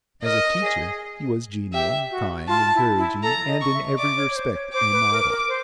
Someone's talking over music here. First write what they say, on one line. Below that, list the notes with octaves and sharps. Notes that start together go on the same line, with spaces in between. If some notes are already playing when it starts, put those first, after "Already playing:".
As a teacher he was genial, kind, encouraging and in every respect a model.
A#4 D#5
G#4
G4 E5
F#4
F4 A5
E4
E4
A4 A#5
D#5
C#6
E5
D#5
D5 D6
C#5
C#5
C5
C#5
C5 D6
B4
A#4
A#4
C5